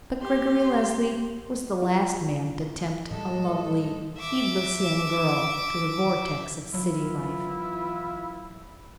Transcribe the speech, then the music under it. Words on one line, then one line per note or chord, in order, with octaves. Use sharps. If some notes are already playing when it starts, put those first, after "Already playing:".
But Gregory Leslie was the last man to tempt a lovely, heedless young girl to the vortex of city life.
G4 C6
F4
A2 G3 G#3 A4 D#5
E5 D6
E3 F#3 B3 E4 F4